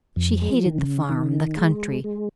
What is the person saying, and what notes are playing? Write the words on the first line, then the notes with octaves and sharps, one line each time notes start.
She hated the farm, the country.
F2
G#3
F3
D#3
C#3
D#3
G#3
G#3